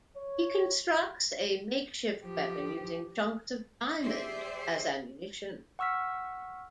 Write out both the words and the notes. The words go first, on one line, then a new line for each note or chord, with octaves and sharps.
He constructs a makeshift weapon, using chunks of diamond as ammunition.
C#5
F3 G4
G4 G#4 C5 D5 E5
F#5 C#6 E6 F6 B6